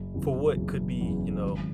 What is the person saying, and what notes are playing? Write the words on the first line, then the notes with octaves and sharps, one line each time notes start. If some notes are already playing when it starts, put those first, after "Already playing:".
for what could be, you know,
Already playing: F#1
E2 C#3 E3
F#1
E2 C#3 E3
G#1